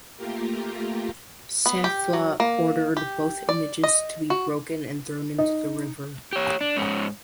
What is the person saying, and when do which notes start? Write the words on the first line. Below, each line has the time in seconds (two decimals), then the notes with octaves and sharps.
Satha ordered both images to be broken and thrown into the river.
0.16 A3 A#3 F4 G4 A#4
1.66 B3
1.84 G4
2.13 F#3
2.40 A#3
2.97 G4
3.49 D5
3.83 D#5
4.30 F#4
5.38 D#4
6.33 G4 C#5
6.61 D4
6.77 G#2 C#4